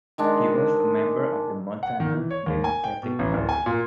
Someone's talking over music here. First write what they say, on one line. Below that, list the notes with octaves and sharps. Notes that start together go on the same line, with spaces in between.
He was a member of the Montana Democratic Party.
D#3 G#3 D4
F#5
D#3
E3
C#5
D#2
G#5
G5
B2
A1
D1
G#5
A#2